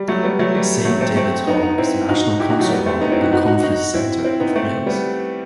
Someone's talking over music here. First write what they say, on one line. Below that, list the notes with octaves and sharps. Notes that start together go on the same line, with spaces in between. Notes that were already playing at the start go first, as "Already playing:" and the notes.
Saint David's Hall is the National Concert Hall and Conference Centre of Wales.
Already playing: G3
F#3 A3
G3 B3
F#3 A3
G3
F#3 A3
A3 C4
A3 C4
B3 D#4
B3 D#4
C4 E4
D#4 F#4
E4 G4
D#4 F#4
F#3 A3
G3 B3
A3 C4
B3 D#4
C4 E4
D#4 F#4
D#4 F#4
D#4 F#4
D#4 F#4
C4 E4
C4 E4
B3 D#4
A3 C4
G3 B3